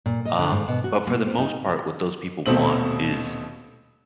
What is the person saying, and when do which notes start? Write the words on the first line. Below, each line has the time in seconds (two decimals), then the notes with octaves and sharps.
Um, but, for the most part, what those people want is
0.06 A#2
0.25 D#5
0.39 D3
0.51 G#2
0.68 B2
0.84 F#4
1.07 A#3
1.27 C4
1.38 D#4
2.46 D#1 B2 A3 C4 F#7